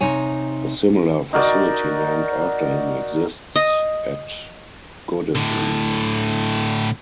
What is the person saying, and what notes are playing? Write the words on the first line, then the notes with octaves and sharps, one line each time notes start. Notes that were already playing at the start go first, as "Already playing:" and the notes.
A similar facility named after him exists at Goodison.
C3 D#4 C#5 G#5
D#4 F#4 A#4 D5
D#5 D#6
A2 D3